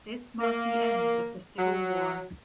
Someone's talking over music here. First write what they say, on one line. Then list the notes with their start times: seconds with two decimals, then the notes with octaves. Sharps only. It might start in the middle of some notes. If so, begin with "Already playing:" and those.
This marked the end of the civil war.
0.41 A#3
1.58 F#3